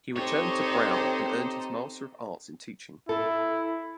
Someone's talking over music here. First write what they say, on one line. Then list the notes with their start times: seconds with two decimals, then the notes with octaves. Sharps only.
He returned to Brown and earned his Master of Arts in Teaching.
0.16 C4 D#4 G4 A4 C5 C#5 D#5
3.09 E4 A4